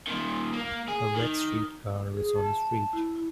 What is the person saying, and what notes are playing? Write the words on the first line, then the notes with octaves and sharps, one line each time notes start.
A red streetcar is on the street.
A#2 D#3
A#3
G#4
D#3
G#4
A5
E4
E4